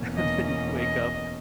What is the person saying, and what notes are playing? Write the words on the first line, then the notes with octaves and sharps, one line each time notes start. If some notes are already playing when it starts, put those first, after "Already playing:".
and then you wake up,
Already playing: E2 B2 A#3 C#4
D#5
D#5
D#5